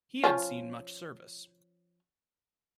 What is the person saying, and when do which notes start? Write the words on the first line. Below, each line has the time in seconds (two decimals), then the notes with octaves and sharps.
He had seen much service.
0.24 F3 C#4 F4